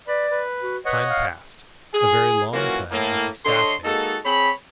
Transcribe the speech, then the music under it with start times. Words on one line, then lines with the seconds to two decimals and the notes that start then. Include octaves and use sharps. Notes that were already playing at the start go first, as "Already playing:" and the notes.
Time passed, a very long time, as he sat there.
0.07 B4 D5 B5
0.31 B4
0.61 F#4
0.85 B4 C#5 D#5 F#5
1.08 F5
1.94 G#4
2.53 E3 F#3 A#3 C#4 F4 F#4
2.91 A2 A#3
3.45 D3 A4 C#5 D#5 C6
3.84 G#3 A#3 D#4 F#4 A4
4.25 C4 G#4 C#5 B5